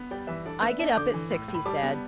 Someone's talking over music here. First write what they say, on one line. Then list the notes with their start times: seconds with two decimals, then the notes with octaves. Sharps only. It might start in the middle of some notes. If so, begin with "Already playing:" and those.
"I get up at six," he said.
Already playing: B3
0.11 G3 D5 G5
0.27 E3 B4 E5
0.46 D4 A4 D5
0.62 B3 B4 E5
0.79 D4 E5 A5
0.97 D3 D6 G6
1.14 E3
1.31 A2
1.48 A2
1.54 B5
1.65 G3 A5 D6
1.83 B3